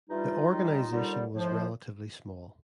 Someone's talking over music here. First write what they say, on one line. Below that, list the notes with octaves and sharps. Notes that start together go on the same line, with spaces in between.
The organization was relatively small.
G2 E3 G3 D#4 F4
D#2 D#3 G3
D#2 D3 G3
A2 F3 G#3